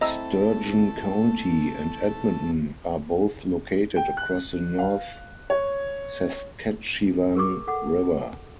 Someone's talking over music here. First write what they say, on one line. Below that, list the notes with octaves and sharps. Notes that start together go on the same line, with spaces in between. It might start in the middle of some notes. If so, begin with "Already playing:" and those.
Sturgeon County and Edmonton are both located across the North Saskatchewan River.
A3 C4 E4 A4 D#5 A#5 E6
G5
F#6
F5
C#5
G#4 A#4 C#6 D6
A4 F#5 D6